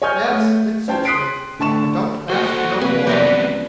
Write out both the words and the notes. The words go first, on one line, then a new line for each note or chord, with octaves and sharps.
Yes, it suits me: I don't ask no more.
C#5 D#5 G#5 C#6 F6 G6
A3
C#4 C5 G5 A5
C6 D#6 F#6 B6 C7 D7
A2 D3 A5 C#6 E7
A#3 F#4 A4 C5
C3 A#3 B4 G#5
F#2 F3 B3 C4 G4 A#4 D5
C#2